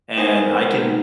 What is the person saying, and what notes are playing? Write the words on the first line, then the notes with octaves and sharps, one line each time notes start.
And I can
G#2 D#3 B3 C4 G#4 A#4 C5 G#5